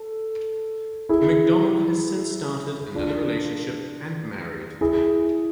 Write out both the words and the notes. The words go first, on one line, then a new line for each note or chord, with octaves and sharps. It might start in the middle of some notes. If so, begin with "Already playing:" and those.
MacDonald has since started another relationship and married.
Already playing: A4
E4 G#4
D4 F4
E4 G#4